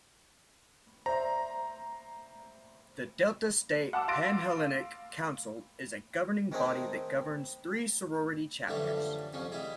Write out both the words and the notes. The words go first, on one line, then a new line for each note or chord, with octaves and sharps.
The Delta State Panhellenic Council is a governing body that governs three sorority chapters.
C5 D5 E5 A#5
F#5 A5 D6 E6
F5 C6 A6 A#6 D7
D#3 G#3 A3 C4 D#4 G#5
F#2 D3 E3 F3 G3 A3
C2 F2 F3 C#4
G3 G#3 E4 G#4